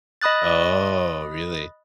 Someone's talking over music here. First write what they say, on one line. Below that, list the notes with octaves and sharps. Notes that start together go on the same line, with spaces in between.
Oh, really?
D#5 B5 D#6 F#6 A6